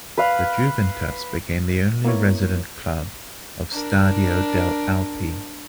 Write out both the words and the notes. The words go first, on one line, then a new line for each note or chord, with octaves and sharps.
The Juventus became the only resident club of Stadio delle Alpi.
B4 F5
A#3 B3 E4 A#4 C#5
D4 A#4